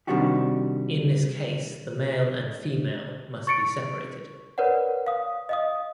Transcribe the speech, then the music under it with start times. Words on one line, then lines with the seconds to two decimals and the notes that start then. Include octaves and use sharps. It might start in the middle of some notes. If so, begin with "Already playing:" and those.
In this case the male and female must be separated.
0.07 C3 D#3 G3 D4 F#4 G4
3.47 C#6 A6 C#7 D7
4.58 A#4 B4 C#5 D5 F#5
5.07 F5 D#6
5.49 D#5 F5 D#6